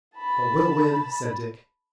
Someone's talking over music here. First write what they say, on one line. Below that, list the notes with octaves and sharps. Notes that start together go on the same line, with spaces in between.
"But we'll win!" said Dick.
A5 B5